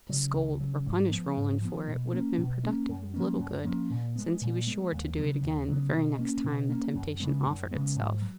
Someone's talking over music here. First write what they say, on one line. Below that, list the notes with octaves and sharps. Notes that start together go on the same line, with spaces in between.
To scold or punish Roland for it, would have been productive of little good, since he was sure to do it again the very next time the temptation offered itself.
C#3 F#3
C#2
C#3 F#3
G#2
F3 B3
G#2
F3 B3
B2
A#3 C#4
B2
A#3 C#4
F#2
F3 A#3 C#4
F#2
F3 A#3 C#4
A#2
G#3 B3
A#2
G#3 B3
D#2
C#3 F#3 B3
D#2
C#3 F#3 B3
B2
A#3 C#4
B2
A#3 C#4
F#2
C#3 G#3 B3
F#2
C#3 G#3 B3
G#2
F#3